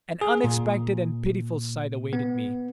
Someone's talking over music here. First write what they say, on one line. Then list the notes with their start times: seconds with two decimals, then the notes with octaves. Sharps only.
An unexpected and pitiful sight awaited me.
0.21 G#4
0.44 A#2
2.13 B3